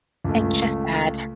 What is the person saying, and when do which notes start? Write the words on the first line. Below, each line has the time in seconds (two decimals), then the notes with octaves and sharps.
It's just bad.
0.24 C#2 A3